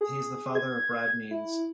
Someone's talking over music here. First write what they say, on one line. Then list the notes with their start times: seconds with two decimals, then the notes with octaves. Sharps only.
He is the father of Brad Means.
0.01 G#4
0.55 G#6
1.31 E4